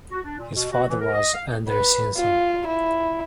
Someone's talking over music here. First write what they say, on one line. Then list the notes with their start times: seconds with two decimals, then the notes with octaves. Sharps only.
His father was Andrew Simson.
0.11 F#4
0.23 D4
0.38 A#2
0.54 B2
0.71 F#4
0.88 E3
1.00 A#4
1.13 D#5
1.34 F5
1.68 B4
2.17 F4
2.67 E4